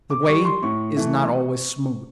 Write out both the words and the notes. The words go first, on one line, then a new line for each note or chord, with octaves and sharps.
The way is not always smooth.
D6
G3 C#6
C6
A2 C#6
E3 A3